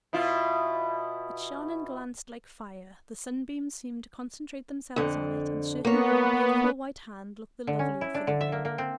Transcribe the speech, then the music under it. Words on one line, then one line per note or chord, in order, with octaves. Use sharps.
It shone and glanced like fire; the sunbeams seemed to concentrate themselves on it; and, certainly, the beautiful white hand looked the lovelier for the ring.
B2 E4 F4
F2 D3
A#3 B3 C#5
D3
C#4
E4
D4
D3
E5
A#3
A#3
C4